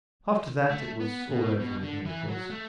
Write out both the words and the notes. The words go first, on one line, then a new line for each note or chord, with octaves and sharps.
After that it was all over with me, of course.
A3
B3
B2
B2
D3
E3
F#3
A3